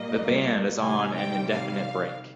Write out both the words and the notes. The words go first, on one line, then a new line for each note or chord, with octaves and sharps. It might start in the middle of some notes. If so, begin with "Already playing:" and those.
The band is on an indefinite break.
Already playing: A#2 G3 A#3 D#5
C3 D#3 G3 G#5
G5
F5